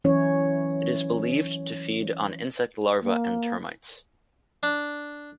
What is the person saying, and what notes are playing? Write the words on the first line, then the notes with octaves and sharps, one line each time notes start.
It is believed to feed on insect larvae and termites.
E3 F#3 C#4 E4 C#5
A#3
D4